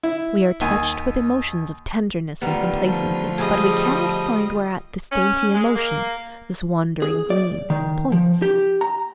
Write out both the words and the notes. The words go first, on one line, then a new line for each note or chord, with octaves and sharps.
We are touched with emotions of tenderness and complacency, but we cannot find whereat this dainty emotion, this wandering gleam, points.
E4
D#2 G#5
D3 D#3 G3 A3 B3 F4
F3
G3 G#4 D#5
C#4
G#3
A#3
G#4
D5
D#3
F3
G4
A#5